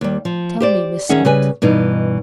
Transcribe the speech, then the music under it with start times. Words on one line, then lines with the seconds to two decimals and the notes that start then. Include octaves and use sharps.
"Tell me, Miss Scott."
0.01 D#2 G3
0.25 F3
0.60 G4 C5 D5
1.09 D#3 C#4 G#4 E5 F#5
1.25 C#3 G3 B4 G#5
1.62 G2 B2 E3 D#4